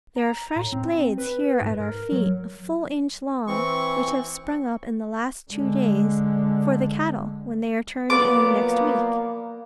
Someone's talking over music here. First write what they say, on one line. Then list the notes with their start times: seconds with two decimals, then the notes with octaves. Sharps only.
There are fresh blades, here at our feet, a full inch long, which have sprung up in the last two days, for the cattle when they are turned in next week.
0.16 A#5
0.56 A2
0.72 C4
1.18 B4
1.61 G#2
1.80 A#4
2.12 F#3
3.47 E3 C4 C#6
5.51 D3 G#3
8.10 F3 F#3 A#3 B3 D5 D6